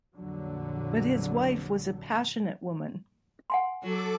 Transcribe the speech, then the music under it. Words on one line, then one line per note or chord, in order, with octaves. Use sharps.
But his wife was a passionate woman.
A#1 F2 D3 F#3
F#5 G#5 C6
F#3 A4 D6